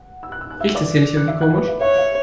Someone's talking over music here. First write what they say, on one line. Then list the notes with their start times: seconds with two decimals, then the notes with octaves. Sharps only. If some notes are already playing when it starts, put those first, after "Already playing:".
Riecht es hier nicht irgendwie komisch?
Already playing: F#5
0.23 E6
0.32 F#6
0.41 E6
0.50 F#6
0.60 E5 E6
0.75 D5 D6
1.17 F#6
1.28 E5 E6
1.41 F#5 F#6
1.54 B4 B5
1.68 E5
1.81 C#5 E5
1.98 E5